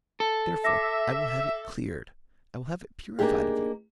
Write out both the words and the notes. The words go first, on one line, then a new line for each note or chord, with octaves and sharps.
Therefore, I will have it cleared; I will have it purified of you.
A4
E5 D6 A#6
A#3 D4 D#4 G4 G#4